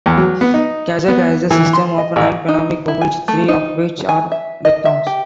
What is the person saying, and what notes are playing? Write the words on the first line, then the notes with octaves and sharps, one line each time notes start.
Kazakh has a system of nine phonemic vowels, three of which are diphthongs.
E2
F#3
B3
D#4
B3
E3
C6
D#5
A1
D#4
E4
G#5
A3
D#4
G#5
E5
D#5
E5
G4